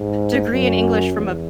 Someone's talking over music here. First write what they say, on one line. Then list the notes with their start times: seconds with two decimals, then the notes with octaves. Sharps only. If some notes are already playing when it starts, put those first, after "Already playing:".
degree in English from a p
Already playing: G#2
0.53 F#2
1.16 E2